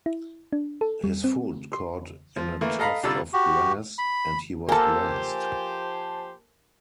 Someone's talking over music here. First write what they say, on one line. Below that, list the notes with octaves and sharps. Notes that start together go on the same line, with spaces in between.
His foot caught in a tuft of grass, and he was grassed.
E4
D4
A4
G3
C4
C6
F3
E3 A3 A#3
A4 D#5 F5 A#5 B5
C2 D3 G3 F4 D5 E6
F#4 G4
B5
F3 A#3 G4 A4 C5 G#5 A5